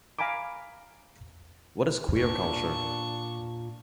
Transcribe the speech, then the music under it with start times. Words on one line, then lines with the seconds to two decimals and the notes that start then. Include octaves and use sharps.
What is queer culture?
0.19 F5 G#5 A#5 B5 D6
2.16 A#2 D4 C#6